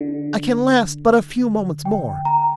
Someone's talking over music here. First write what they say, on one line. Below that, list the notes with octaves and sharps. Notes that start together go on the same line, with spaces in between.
I can last but a few moments more.
D3
G5
A#5